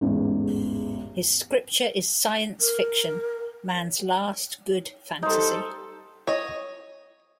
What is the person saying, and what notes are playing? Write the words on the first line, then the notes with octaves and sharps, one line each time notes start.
His scripture is Science Fiction, Man's last, good fantasy.
A1 E2 G#2
A#4
G3 D#4 A4 C5
C#5 D#5